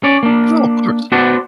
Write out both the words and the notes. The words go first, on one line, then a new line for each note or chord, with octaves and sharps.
No, of course.
C#4 C#5 D5
A#3 D4
B3 F#4 C5 D5 F#5 A5